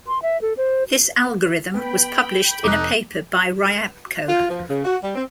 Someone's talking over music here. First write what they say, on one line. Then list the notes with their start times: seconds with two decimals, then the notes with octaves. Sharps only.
This algorithm was published in a paper by Ryabko.
0.08 C6
0.22 E5
0.42 A4
0.57 C5
1.74 B3 G5 B5
2.64 F1 D#4 A4 D6 F#6
4.28 F4
4.49 F3
4.70 C#3
4.84 F#4
5.04 G3
5.16 C4